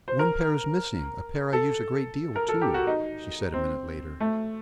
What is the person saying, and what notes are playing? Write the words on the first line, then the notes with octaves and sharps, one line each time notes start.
"One pair is missing--a pair I use a great deal, too," she said a minute later.
C5
A#4
A4
A#4
A4
G4
F#4
D#4
C4
A3